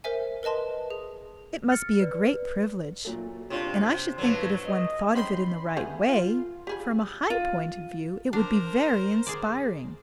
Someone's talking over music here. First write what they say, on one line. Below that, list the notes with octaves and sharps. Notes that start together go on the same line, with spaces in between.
"It must be a great privilege, and I should think that if one thought of it in the right way--from a high point of view--it would be very inspiring."
A#4 C5 E5 G#5
A#4 B4 D#5 A5 C6
G#4
F6 A6 C#7
B4 D5
A#2 F#3 A3
C3 D4 F4 C#5
G2 F#3 A3 E4 B4
D#5
C4 C#4 D#4 B5 C6
A3 B3 G#4
F4
G4 G#4 B5
F4
D4 A#4 C5
G#4 D5